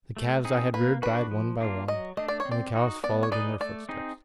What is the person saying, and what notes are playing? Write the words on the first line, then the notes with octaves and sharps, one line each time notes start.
The calves I had reared died one by one, and the cows followed in their footsteps.
A3
C4 D#4 G#4
A#3 B4
D4 F#4 B4
F3
A#3 D4 F4
F#3 D#5
A3 D4 D#5
D5
C#5
C4
D5
D#4 F#4
B3 D5
C#5
D#4 G#4 B4 D5 D#5
A3 D5
C4 D#4 G#4